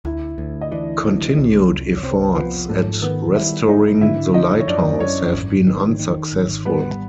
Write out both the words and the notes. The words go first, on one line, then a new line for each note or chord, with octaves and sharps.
Continued efforts at restoring the lighthouse have been unsuccessful.
D2 E4 E5
D2
D#5
E3 D4 D5
D2
C2 C#4 C#5
C2
C#5
C2 C4 C5
F3 B3 B4
G#2 A3 A4
D#3 B3 B4
G3 E4 E5
G#2 D#4 D#5
D3 E4 E5
F3 D#4 D#5
C#5
F#2 D4 D5
F#2 C#4 C#5
G#1
D#3
D#3
G#1
G3 B3 B4